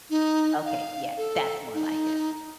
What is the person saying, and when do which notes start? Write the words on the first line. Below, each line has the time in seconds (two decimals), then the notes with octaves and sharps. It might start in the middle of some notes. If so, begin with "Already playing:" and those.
Okay, yeah, that's more like it.
0.10 D#4
0.65 F5
1.17 A4
1.74 D#4